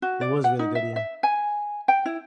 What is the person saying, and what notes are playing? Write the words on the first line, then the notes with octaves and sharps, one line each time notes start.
It was really good, yeah.
F#4
D5
F#5
D#4
E5
E5
G#5
G5
E4